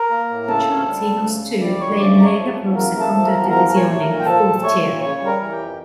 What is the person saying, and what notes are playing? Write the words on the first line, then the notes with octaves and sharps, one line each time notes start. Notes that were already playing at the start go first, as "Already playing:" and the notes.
Crociati Noceto play in Lega Pro Seconda Divisione, the fourth tier.
Already playing: A#4 A#5
A#3
A2
C#3 A4 A5
D2
G3
D2
C#3
D2
G3 D5 D6
D2 C#5 C#6
C#3 D5 D6
A3 A#5
C#5 C#6
F3
E2
C#3 A#3 A#4
A3
A4 A5
F3
A#4 A#5
E2
F3 A#4 A#5
A#2
C#5 C#6
A3
A#4 A#5
A#2
G5
F3 A4 A5
A#2
A3 C#5 C#6
A#2
C#3 C#5 C#6
G3
A#4 A#5
E3
G4 G5
F2